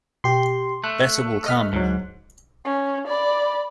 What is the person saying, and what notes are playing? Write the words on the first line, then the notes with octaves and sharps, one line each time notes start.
Better will come.
B2 G4 C6
A3 F#6
D#5 F6 B6
D2 G#2 F#3
C#4
D5 B5